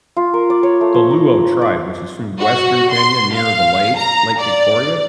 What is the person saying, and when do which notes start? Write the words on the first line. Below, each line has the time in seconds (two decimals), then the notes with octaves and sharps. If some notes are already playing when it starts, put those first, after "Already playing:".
the Luo tribe, which is from Western Kenya near the lake, Lake Victoria.
0.17 F4
0.34 A#4
0.50 D5
0.63 C#5
0.81 A3
0.94 F3
1.11 A#5
1.61 D5
2.40 F#4
2.92 C6
3.34 F5
3.98 A#5
4.40 D5